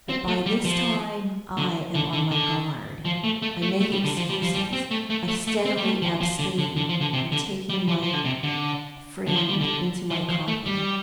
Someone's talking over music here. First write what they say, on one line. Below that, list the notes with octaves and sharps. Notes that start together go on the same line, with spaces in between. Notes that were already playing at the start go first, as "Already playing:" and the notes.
But by this time I am on my guard; I make excuses; I steadily abstain from taking my friend into my confidence.
C4
A3
G3
F3
D3
D3
D3
D3
F3
A3
A3
A3
A3
G3
D3
F3
G3
F3
G3
C4
A3
A3
A3
A3
C4
G3
A3
F3
F3
D3
D3
D3
F3
D3
C3
D3
G3
F3
F3
D3
C3
D3
D3
F3
G3
D3
F3
F3
A3
G3